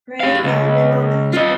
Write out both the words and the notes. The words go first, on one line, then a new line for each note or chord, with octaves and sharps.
Right? Yeah. My mom actual
G4 F5
C#2
F4 D#5